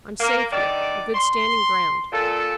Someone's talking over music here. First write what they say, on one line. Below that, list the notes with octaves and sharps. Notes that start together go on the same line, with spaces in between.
I'm safe here, on good standing-ground.
A#3
D3 D#3 D5
C6
A#2 A4